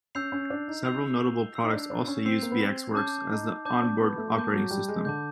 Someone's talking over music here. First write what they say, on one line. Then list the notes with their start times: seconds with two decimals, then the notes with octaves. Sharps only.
Several notable products also use VxWorks as the onboard operating system.
0.15 C#4 E6 G6 C7 F7
0.32 C#4
0.50 D4
0.68 D#4
0.85 E6 G6 C7 F7
1.55 E6 G6 C7 F7
1.63 D#4
1.73 D4
1.90 D4
2.07 C#4
2.25 C4 E6 G6 C7 F7
2.42 A#3
2.51 B3
2.60 C4
2.95 C#4 A5 D6 G6
3.30 D#4
3.65 D4 A5 D6 G6
3.83 D4
4.01 B3
4.18 A3
4.35 A#3 A5 D6 G6
4.53 F#3
4.71 G3
4.88 G#3
5.05 D3 A5 D6 G6